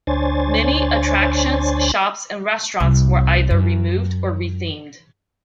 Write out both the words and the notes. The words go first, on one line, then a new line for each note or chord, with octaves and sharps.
Many attractions, shops, and restaurants were either removed or rethemed.
D2 D4 C5 C#5 G#5 A6
C2
F#2